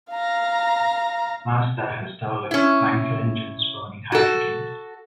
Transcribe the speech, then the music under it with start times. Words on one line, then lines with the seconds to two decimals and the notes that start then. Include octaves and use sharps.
Mazda has developed Wankel engines burning hydrogen.
0.11 F5 A#5
2.51 C#4 E4
4.12 F#4 A4